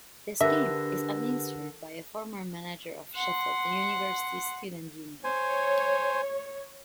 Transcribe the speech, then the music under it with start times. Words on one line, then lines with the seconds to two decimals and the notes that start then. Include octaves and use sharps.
The scheme is administered by a former manager of Sheffield University Student Union.
0.41 D3 D4 G4 A#4 B4 E5 E6 A#6
3.15 F#5 C6
5.24 C5 C#5 G#5